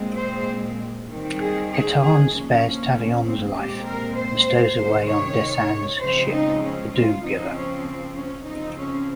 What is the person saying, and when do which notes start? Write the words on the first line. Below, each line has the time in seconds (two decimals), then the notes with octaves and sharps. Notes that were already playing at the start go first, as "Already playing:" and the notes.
Katarn spares Tavion's life and stows away on Desann's ship, the "Doomgiver".
Already playing: A#2 G#3 C4
0.17 C5
1.09 D#3 G3 C4
1.40 G#4
1.71 G#4
2.01 G#4
2.32 C#3 F3 A#3 C#4
3.24 C4
3.55 A#2 G#3 C4 G4
3.85 A#4
4.16 C5
4.78 C3 D#3 G#3
5.08 C#5
6.01 C#3 F3 G#3 C4 C5
6.31 D#4
6.62 C#4
6.93 F4
7.24 C#3 F3 C4 D#4
7.55 C#4
8.16 C#4
8.46 C#3 F3 C4 D#4
8.77 C#4